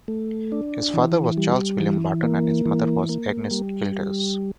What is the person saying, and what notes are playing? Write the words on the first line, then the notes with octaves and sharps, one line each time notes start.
His father was Charles William Barton and his mother was Agnes Childers.
A3
D4
E3
G3
E3
A#3
E3
A#3
G3